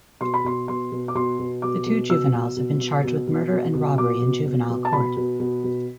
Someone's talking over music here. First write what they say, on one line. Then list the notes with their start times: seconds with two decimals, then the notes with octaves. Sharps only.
The two juveniles have been charged with murder and robbery in juvenile court.
0.21 B2 C6
0.34 B5
0.44 B2 C6
0.68 B2 C6
0.92 B2
1.08 D6
1.15 B2 C6
1.39 B2
1.62 B2 D6
1.86 B2
2.09 B2 E6
2.33 B2
2.57 B2
2.80 B2
3.04 B2
3.27 B2
3.52 B2
3.74 B2
3.98 B2 D6
4.22 B2
4.46 B2
4.70 B2
4.85 A5
4.93 B2 B5
5.17 B2
5.40 B2
5.64 B2